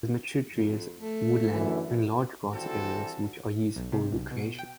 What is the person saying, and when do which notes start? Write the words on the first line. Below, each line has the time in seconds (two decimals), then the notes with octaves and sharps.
With mature trees, woodland, and large grassy areas which are used for recreation.
0.52 F2
0.98 A3
1.52 F#2 D3 E3
2.53 D#3 E3 G3 C4 F#4 A4
3.76 B1
3.92 C3
4.12 B1
4.31 B2
4.58 G5